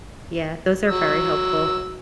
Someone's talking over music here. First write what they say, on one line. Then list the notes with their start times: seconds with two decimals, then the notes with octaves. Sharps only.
Yeah. Those are very helpful,
0.88 F#3 E6